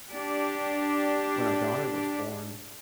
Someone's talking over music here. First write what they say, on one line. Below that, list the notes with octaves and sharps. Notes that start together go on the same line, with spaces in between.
when our daughter was born
D4 G4